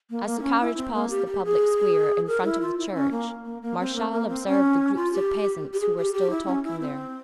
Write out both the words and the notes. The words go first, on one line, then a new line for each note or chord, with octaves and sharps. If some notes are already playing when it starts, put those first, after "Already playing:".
As the carriage passed the public square in front of the church, Martial observed the groups of peasants who were still talking there.
A#3
A#3
E4
C#4
E4
C4
A#3
G4
G4
G#4
A#4
E4
F4
E4
C#4
A#3
A#3
A#3
C4
A#3
A#3
C4
C#4
F4
G4
G4
G#4
G4
G4
E4
C#4
E4
C4